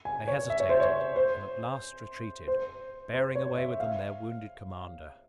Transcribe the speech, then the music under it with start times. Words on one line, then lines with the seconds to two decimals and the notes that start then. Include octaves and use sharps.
They hesitated, and at last retreated, bearing away with them their wounded commander.
0.05 G#5
0.28 C#5
0.50 E5
0.60 C#5
0.69 C5
0.80 C#5
1.16 C5
2.48 C5
3.14 C5
3.35 C#5
3.58 E5
3.80 F5